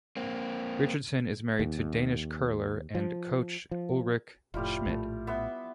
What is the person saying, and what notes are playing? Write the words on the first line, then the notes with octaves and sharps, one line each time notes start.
Richardson is married to Danish curler and coach Ulrik Schmidt.
A#3 C4
D#2
F3
F3
F1 A2 G3 E4 F4
A#1 A2 A3
B3 E5 C6